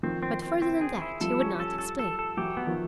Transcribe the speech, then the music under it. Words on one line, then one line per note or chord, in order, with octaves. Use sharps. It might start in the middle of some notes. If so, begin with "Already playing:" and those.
But further than that he would not explain.
D#3 F3 C4
C4
C4
C4
G#4
E4
F3 G3 A4
C#4
A4
A4
A4
A4
E3 F#3 G4
B3
D#3 F3